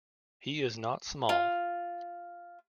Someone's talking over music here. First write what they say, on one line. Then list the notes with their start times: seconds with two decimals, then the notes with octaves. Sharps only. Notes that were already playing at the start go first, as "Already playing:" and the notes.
He is not small.
1.29 F4